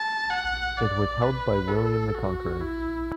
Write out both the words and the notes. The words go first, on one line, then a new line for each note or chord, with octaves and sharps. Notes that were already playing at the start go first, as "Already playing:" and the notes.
It was held by William the Conqueror.
Already playing: A5
F#5
D5
B4
A4
F#4
E4